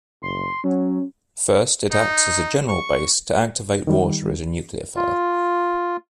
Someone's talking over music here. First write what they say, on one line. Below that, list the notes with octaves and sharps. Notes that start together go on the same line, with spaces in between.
First it acts as a general base to activate water as a nucleophile.
F#1 C6
F#3 C#4
D#4
C#6
D#3 G3
F4